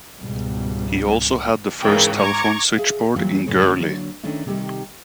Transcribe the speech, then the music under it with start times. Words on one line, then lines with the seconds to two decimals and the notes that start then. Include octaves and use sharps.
He also had the first telephone switchboard in Gurley.
0.18 C#2 G#2 B2 G3
1.81 G#2 C#3 E3 A#4 G5
2.18 A#5 C#6 D6 G#6
2.77 G#4 E5 F5
3.16 E3 F#3 G3 A#3 F4
3.46 F#2 A2 C#3 A#4 C#5
3.62 D3 F#3 A#3 B3 D4
4.23 D#3 A3 C#4 D4 E4
4.46 C3 D#3 G3 D#4 G4